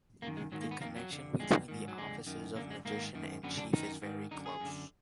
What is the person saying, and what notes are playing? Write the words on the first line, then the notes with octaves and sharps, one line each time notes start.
The connection between the offices of magician and chief is very close.
F#2 D#3 A#3
G#3
G#2 D#3 F#3
A#3
B3
F2 D#3 A#3
F#3
F2 D3
F2 D3 G#3
G#2 D#3
F#3
F2 D3 G#3
F#2 D#3
F#2 D3 A#3
G#3
G#2 D#3 A#3
F#2 D#3
F#2 D3 B3
D4
F#2 D#3 D#4
G#2 D#3
F#2 D3 D#4
G#4
F#2 D3